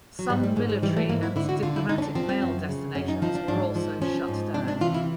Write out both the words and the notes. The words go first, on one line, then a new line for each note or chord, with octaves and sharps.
Some military and diplomatic mail destinations were also shut down.
F#3
G#2 G3
G3
G#2 G#3
G#3
E3 G3
A3
G#2 A#3
E4
D3 E4
F#4
D3 F4
E4
D3 D#4
C#4
D4
F3 C4
C4
F#2
C#3
F#2 C#4
D#4
F3 D#4
D4
G#2 D4
F3
F3 C#4
G#2
C3 D4
D4
E3 F4
E4